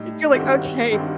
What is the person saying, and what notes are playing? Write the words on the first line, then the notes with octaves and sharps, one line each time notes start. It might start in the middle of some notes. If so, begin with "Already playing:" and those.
You're like, "Okay,
Already playing: A2 G3 D#4
G2 D#3 G3 C4 F#4
G2 D#3 G3 C4 F#4